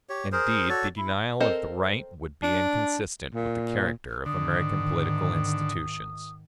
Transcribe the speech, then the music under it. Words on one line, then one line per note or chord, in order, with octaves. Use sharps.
Indeed, the denial of the right would be inconsistent with the character of American political institutions.
G4 C#5
G#4 A#4 C5
F#4 A4 C#5 D5
E4
C4 A4 A#4 C5 D#5
D4
A#2
G#2 D3 D#3 D#6